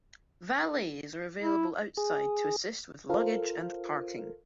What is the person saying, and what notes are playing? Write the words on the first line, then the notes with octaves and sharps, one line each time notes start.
Valets are available outside to assist with luggage and parking.
E4
G#4
F4 A4 A#4 C5 F5